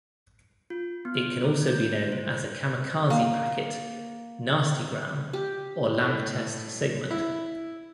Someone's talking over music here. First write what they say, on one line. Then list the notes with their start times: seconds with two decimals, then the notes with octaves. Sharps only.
It can also be known as a "kamikaze packet", "nastygram", or "lamp test segment".
0.70 F4
1.05 B3
1.44 A3
1.68 G6
2.12 C5
3.10 A#3
5.33 G4
6.01 A2
7.11 E4